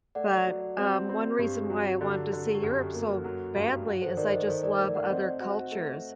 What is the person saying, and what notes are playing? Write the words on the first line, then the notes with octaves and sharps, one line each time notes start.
but, um, one reason why I want to see Europe so badly is I just love other cultures.
A3 D5 F#5
F#3
C4
C4
G2 G4
F#3
D3
D3
G4
F#2 F#4 A4
A#3
F#3
G2
F#4
A4 C5
D#3 A#4 D5
C5 D#5
D#3 A4 C5
A#4 D5
A3 A#4 D5
D5 F#5
C4 C5 D#5
F#4
A3